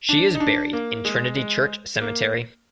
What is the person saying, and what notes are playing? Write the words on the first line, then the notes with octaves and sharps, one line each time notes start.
She is buried in Trinity Church Cemetery.
D4
D#4
D4
A#3
G#3
G#3
A#3